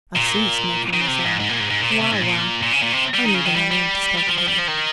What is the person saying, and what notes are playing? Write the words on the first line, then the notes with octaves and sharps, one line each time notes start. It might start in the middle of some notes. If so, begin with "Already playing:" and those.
I ceased making the sound "wah-wah" only when I learned to spell the word.
A#2
D#3
C#3
C3
G#2
G#2
A#2
G#2
G#2
A#2
C3
C3
G#2
A#2
A#2
C#3
A#2
C3
G3
D#3
C#3
D#3
G3
G3
G3
F3
F3
G3
F3
D#3